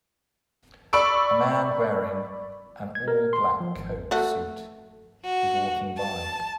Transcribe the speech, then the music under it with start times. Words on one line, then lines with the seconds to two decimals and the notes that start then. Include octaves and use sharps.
A man wearing an all black coat suit is walking by.
0.93 D5 B5 C#6 E6 D7
2.95 G#6
3.08 A#4
3.33 C6
3.60 F3
3.76 G#1
4.11 A3 F#4
5.25 F#4
5.97 A5